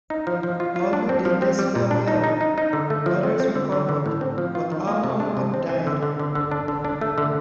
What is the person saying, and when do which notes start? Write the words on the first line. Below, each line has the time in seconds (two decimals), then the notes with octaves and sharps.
All who did this fell ill. Others recovered, but Al-Ma'mun died.
0.10 D#4
0.27 F3
0.43 F3
0.60 F4
0.76 F4
0.93 D4
1.09 C4
1.25 F3
1.42 C4
1.59 G3
1.75 A#2
1.91 D4
2.08 D#4
2.24 D#4
2.41 D#4
2.58 D#4
2.73 D3
2.90 A3
3.06 F3
3.23 C4
3.40 C4
3.55 D3
3.72 D3
3.89 D3
4.06 A2
4.21 C4
4.38 F3
4.55 F4
4.72 D#3
4.88 A#3
5.04 C3
5.20 D4
5.37 C3
5.54 C4
5.69 C4
5.87 D3
6.03 D3
6.19 D3
6.35 D3
6.51 D4
6.68 D3
6.85 D4
7.01 A3
7.18 D3